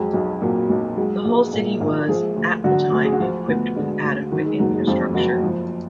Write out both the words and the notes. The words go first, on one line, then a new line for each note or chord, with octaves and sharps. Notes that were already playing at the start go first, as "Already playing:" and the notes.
The whole city was, at the time, equipped with adequate infrastructure.
Already playing: F2 F#3 G#3
B1
A#2 F#3
B1
F#3 G#3
A#1 G#3
A#2 G#3
A#1 A#2 A#3
F3 G#3 G#4
D2
D3 F#3 F#4
D2
G#4
F#4
F3 F4
D2 B2 B3
D3 G#3
D2
D#3 F#3
G#3
F#1 F#3
G#3
F2 F3 F4
F#1 F#3 F#4
F3